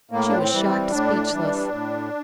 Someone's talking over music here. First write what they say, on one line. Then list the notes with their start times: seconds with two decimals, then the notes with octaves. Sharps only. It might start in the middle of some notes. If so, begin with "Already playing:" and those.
She was shocked speechless.
0.11 A2 A#3
0.29 D4
0.38 C4
0.51 E3 G3
0.65 C4
0.90 A2 D4
1.30 E3 G3
1.70 A2